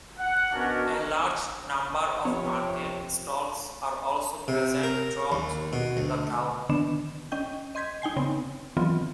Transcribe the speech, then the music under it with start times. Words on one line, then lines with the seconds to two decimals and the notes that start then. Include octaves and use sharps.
A large number of market stalls are also present throughout the town.
0.18 F#5
0.52 B2 C#4 D4 F#4 A#4
2.25 C3 F3 B3 C#5
4.48 C3
4.83 A#4
5.32 D#2
5.73 B2
5.97 D2
6.69 D3 D#3 B3 D4 E7
7.32 C#4 D#5 G5 G6
7.75 D#5 C6 G6 G#6 B6
8.02 D#4 G5 G#5 C7
8.16 C#3 B3 C4
8.77 D#3 E3 F#3 B3 C4 F4